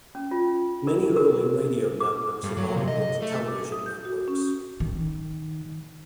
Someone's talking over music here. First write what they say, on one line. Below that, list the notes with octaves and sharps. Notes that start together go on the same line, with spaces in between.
Many early radio networks evolved into Television networks.
C#4
F4
A#4
A#4
D6
G2
F#3
C3
D#5
A3
D6
D#6
G6
F#4
C#4
D#3